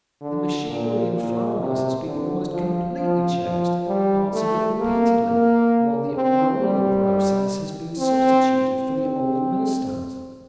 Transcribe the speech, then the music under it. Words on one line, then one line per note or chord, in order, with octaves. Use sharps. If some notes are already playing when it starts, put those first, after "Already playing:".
The machinery in flour-mills has been almost completely changed, parts of it repeatedly, while the roller process has been substituted for the old millstones.
D3
A#2
A#2
C3
D3
F3
F3
F3
G3
A3
A#3
A#3
C4
G3
C4
C4